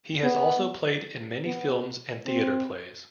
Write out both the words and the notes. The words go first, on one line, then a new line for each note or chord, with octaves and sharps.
He has also played in many films and theater plays.
B3
B3
C4